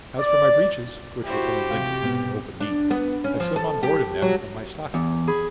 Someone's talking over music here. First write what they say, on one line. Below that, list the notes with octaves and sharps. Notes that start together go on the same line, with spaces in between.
As for my breeches, which were only linen, and open-kneed, I swam on board in them and my stockings.
D5
E4 F#4 G4 C5
C3 F5
G#2 B2 B3
D4
B3
C#4
F3
A4
G4
F#3
E2
G#4 B5